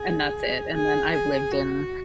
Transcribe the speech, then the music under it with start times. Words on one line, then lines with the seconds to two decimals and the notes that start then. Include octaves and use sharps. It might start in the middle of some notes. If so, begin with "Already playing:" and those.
And that's it, and then I've lived in
Already playing: G#4
0.74 G#4
1.13 G#4
1.51 F#4